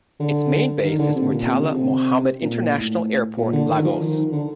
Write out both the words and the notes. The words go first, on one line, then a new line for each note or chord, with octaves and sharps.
Its main base is Murtala Mohammed International Airport, Lagos.
D3
D#3
D3
C3
A#2
C3
D3
C3
A#2
A2
A#2
D3
D#3
F3
D#3
D3